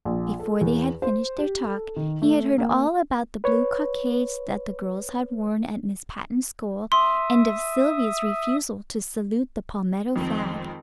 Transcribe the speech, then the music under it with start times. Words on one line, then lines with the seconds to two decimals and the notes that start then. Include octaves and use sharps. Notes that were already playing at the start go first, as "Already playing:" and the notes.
Before they had finished their talk he had heard all about the blue cockades that the girls had worn at Miss Patten's school, and of Sylvia's refusal to salute the palmetto flag.
0.05 A#1
0.39 A4
0.61 E2
1.02 C5
1.38 G4
1.64 A4
1.96 D#3
2.22 A3
2.58 A#3
3.44 B4 C#5
6.92 E5 C6 D#6
10.16 F2 D#3 G#3 C4